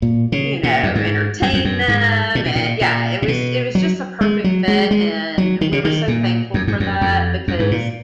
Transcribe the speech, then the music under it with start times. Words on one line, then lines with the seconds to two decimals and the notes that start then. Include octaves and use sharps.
you know, entertain them, and yeah, it was, it was just a perfect fit and we were so thankful for that because
0.02 A#2
0.32 C#3
0.63 A#2
0.83 F#2
0.95 G#2
1.42 F#2
1.53 F2
1.65 F#2
1.88 G#2
2.35 A#2
2.46 B2
2.56 A#2
2.81 A#2
3.22 A#2
3.28 B2
3.75 F#3
4.21 G#3
4.44 F#3
4.68 G#3
4.91 G#3
5.38 F#3
5.61 D#3
5.72 C#3
5.85 D#3
6.08 A#2
6.54 F#2
6.67 G#2
6.80 F#2
7.01 F2
7.48 F#2
7.59 G#2
7.71 A#2